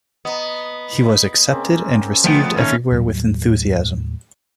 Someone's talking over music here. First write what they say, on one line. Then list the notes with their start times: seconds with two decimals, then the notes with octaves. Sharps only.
He was accepted and received everywhere with enthusiasm.
0.25 B3 D#5 A#5
1.50 C#3 A#3 C4
2.24 A#2 F3 A3 B3 G5
2.57 D#2 A3 C#4 D#4 A5
2.92 D#2 A2 F#3 G3